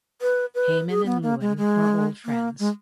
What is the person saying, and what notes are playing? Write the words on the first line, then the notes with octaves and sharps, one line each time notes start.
Heymann and Lewin were old friends.
B4
B4
G#4
B3
A#3
G#3
G#3
A#3
G#3